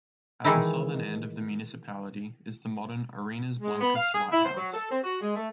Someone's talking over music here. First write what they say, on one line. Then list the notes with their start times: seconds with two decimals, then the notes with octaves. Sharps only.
At the southern end of the municipality is the modern Arenas Blancas Lighthouse.
0.44 D#3 E3 G#3 D#4 E4
3.61 G#3
3.81 B3
3.94 F5
4.14 G#4
4.31 E4
4.44 C5
4.56 F#3
4.73 A4
4.91 C4
5.02 F#4
5.20 G#3
5.35 A3